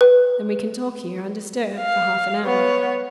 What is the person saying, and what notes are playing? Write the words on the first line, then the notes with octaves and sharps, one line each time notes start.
"Then we can talk here undisturbed for half an hour?"
B4
F5
B3 C#5